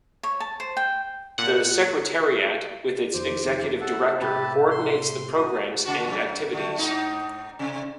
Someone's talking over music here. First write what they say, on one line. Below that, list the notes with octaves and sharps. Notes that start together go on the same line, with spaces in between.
The Secretariat, with its Executive Director coordinates the programs and activities.
C#5
A5
C5
G5
A#2 F#5
F2 D#3 C5 D6
C4 C#4 A4 E5 F#5
A2 C3 G4 B4 A5
C6
F#4 D#6
C#3 F#4
F#2
D3 A3
G#2 D#4
C3